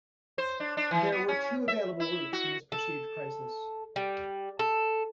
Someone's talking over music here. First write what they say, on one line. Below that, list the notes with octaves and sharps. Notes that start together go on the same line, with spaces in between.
There were two available routes from this perceived crisis.
C5
D4
D4
E3
B3
C#4
E5
E4
F#4
A4
G3
A4